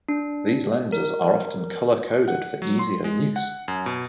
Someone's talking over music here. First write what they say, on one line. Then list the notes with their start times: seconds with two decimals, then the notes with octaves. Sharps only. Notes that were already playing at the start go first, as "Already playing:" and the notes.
These lenses are often color coded for easier use.
0.09 D4
0.92 A#4
2.28 F#5
2.62 F#3
2.79 C6
3.04 G#3
3.36 F#5
3.68 F#2
3.86 B2